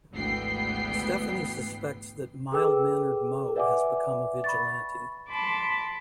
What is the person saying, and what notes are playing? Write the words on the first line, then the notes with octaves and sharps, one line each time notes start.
Stephanie suspects that mild-mannered Mo has become a vigilante.
G#1 D2 E3 B3 G5 C7
G#4 A4 B4 G5 D6 E6
B4 D5 E5 F#5 G#5 D6
B5 C#6 A6
A5 B5 C6 D6